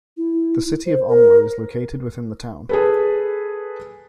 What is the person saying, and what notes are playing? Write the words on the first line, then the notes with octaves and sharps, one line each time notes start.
The City of Omro is located within the town.
E4
C5
A#4
G#4 A4 B4